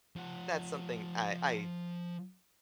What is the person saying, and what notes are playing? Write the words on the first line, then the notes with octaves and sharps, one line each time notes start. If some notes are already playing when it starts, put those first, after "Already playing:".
that's something I I
F3 F#5